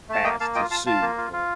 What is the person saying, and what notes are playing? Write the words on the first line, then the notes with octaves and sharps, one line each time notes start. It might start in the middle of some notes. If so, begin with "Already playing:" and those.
fast to sue for
A3 A5
A#3 D#5 G5
A#3 F5 A5
F4 D#5 G5
F4 F5 A5
F4 F5 A5
A#3
F4
F4